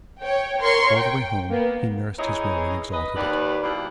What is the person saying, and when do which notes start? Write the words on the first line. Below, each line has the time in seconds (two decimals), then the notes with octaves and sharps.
All the way home he nursed his woe and exalted it.
0.23 C#5 G5
0.60 A#4 C#5 C6 C#6
0.99 G5
1.50 A#3 B3
2.19 E3 D#4 E4 G#4 C#5 D#5
2.92 B4 D#5
3.16 D#2 B4 D5
3.63 B2 E3 G3 A#3 E4 B4